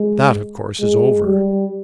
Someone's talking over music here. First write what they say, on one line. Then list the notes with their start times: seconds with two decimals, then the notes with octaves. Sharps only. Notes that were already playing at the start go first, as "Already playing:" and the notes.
That, of course, is over.
Already playing: G#3
0.80 G#3
1.24 G3